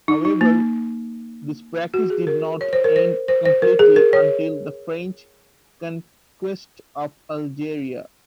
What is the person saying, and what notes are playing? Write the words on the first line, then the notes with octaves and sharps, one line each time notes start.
However, this practice did not end completely until the French conquest of Algeria.
D#4
D#4
A#3
F#4
G#4
A#4
C#5
C5
A#4
C5
C5
C5
A#4
G#4
A#4
C#5